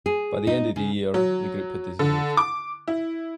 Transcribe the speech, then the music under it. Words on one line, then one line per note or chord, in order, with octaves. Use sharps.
By the end of the year, the group had dissolved.
G#4
D#4
C#3
F#3
D3
D6
E4